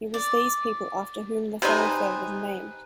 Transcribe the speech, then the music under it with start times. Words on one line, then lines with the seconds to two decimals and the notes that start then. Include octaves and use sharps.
It was these people after whom the thoroughfare was named.
0.14 D5
1.62 C3 D#4 B4 C5 G#5